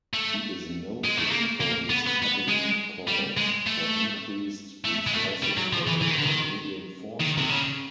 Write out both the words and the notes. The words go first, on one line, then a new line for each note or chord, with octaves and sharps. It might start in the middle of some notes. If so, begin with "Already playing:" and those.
He is noted for his public calls for increased resources for the Canadian Forces.
A3
G#3
A3
A#3
A#3
B3
B3
B3
G#3
G3
G#3
A3
A3
G#3
A3
G3
F#3
F3
E3
E3
D#3
D3
D#3
D#3
C3
C#3